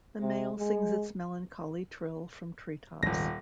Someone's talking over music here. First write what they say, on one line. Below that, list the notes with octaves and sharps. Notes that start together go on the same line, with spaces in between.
The male sings its melancholy trill from treetops.
C3
G#3
D#1 G#1 C#3 A#6